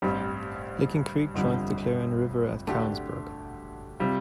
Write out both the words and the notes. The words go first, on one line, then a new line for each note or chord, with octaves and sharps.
Licking Creek joins the Clarion River at Callensburg.
A1 G2 G3 C4
G1 F2 D3 G3
D2 D3 A3 D4 G4
C3 G3 F4